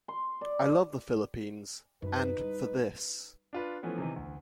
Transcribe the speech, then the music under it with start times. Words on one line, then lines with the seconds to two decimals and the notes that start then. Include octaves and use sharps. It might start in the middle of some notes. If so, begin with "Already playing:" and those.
I love the Philippines - and for this...
0.08 C6
0.41 D5
2.02 F#2 D#4 B4
2.40 G3 E4
3.53 D4 F4 B4
3.83 E3 F3 A3 B3 C#4
3.98 C3 D#3 E3
4.16 D2